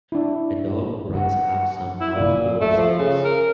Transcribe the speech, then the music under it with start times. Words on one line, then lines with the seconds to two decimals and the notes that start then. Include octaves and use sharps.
A dog runs up some outdoor steps.
0.12 D4 E4
1.14 F#5
2.01 E4
2.15 A#2
2.61 A3
2.78 F3
2.99 C#3
3.25 A#4